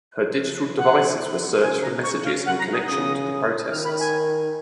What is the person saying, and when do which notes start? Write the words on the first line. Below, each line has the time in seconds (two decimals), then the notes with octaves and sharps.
Her digital devices were searched for messages in connection to the protests.
0.36 F3
0.78 F#5
1.62 C#3 G#5
1.82 A#5
2.03 C#3 C#6
2.24 F5
2.46 F#5
2.59 A#5
2.73 D#6
2.87 C#3 D#6
3.71 D#3 F6
3.84 B5
3.99 G#5